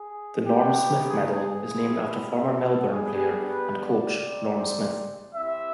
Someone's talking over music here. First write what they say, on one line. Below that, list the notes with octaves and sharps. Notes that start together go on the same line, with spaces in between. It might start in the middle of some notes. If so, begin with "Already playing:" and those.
The Norm Smith Medal is named after former Melbourne player and coach, Norm Smith.
Already playing: G#4
B3 D#4 F#4 G4
G#4
G#4
G3 B3 E4
A4
B3 D4 G4 G#4
B4
D5
C4 D#4 G4
C4 E4 G4 E5